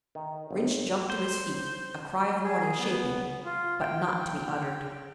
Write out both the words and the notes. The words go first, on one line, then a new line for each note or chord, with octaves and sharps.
Rynch jumped to his feet, a cry of warning shaping, but not to be uttered.
D#3
G1
C5
G#4
B3
F4
G5